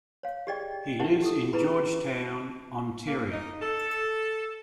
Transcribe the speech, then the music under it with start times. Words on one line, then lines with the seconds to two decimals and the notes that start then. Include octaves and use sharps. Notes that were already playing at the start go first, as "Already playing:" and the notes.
He lives in Georgetown, Ontario.
0.23 C#5 F5
0.47 G4 G#4 D5 D#5 G5
1.00 E4 G4 A#4 E5 F#5 A5
1.22 G4 A4 D#6
1.53 E4 F4 G#4 B4 A#5 B5
1.64 C#4 C#6
3.07 A#3
3.31 D#4
3.62 A4